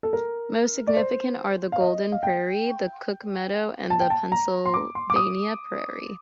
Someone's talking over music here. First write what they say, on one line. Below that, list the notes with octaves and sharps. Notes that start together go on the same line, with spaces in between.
Most significant are the Golden Prairie, the Cook Meadow and the Pennsylvania Prairie.
A4
A#4
D5
C5
F5
D#5
F5
G5
A5
G5
A5
A#5
C6
D6
C6
D6
D#6